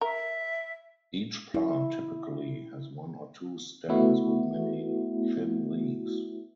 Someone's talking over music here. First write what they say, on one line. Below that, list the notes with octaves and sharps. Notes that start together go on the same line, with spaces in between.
Each plant typically has one or two stems with many thin leaves.
A#4 E5
E4
A3 B3 E4 F#4